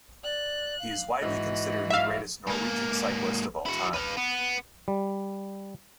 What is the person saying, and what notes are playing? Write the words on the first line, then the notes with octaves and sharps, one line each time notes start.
He is widely considered the greatest Norwegian cyclist of all time.
D5 F#6
F5
G#2 E3 F#4 D#5
E5 F5
G#2 A#3
E4 F#4
B4 F5
B3
G3